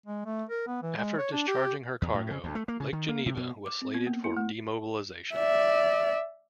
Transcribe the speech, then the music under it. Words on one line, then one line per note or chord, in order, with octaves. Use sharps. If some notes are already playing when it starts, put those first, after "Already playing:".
After discharging her cargo, "Lake Geneva" was slated for demobilization.
G#3
A3
A#4
B3
E3
G#3
C#5
D4
G4
E2
A2
C#3
D2
A3
A#3
C#3
D#3
A#3
C3
B2
D6
C4
B3
A#3
E4
A3
D5 E5